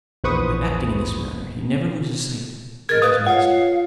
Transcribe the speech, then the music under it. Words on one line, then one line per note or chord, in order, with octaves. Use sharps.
By acting in this manner, he never loses sight of his master.
A#1 E2 B4 C5 C#6 D#6
G#4 A#4 D#5 G#6 A6
B4 F5 D#6
F4 C#5 F5 F#5